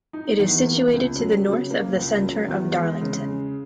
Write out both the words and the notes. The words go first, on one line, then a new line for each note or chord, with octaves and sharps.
It is situated to the north of the centre of Darlington.
D#4
E2
A#3
C#2
F#3
C#3
A#3
C#2
F#3
E2
G#3
C#3